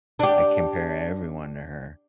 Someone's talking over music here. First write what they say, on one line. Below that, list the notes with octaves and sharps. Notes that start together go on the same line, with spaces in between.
I compare everyone to her,
D4 G4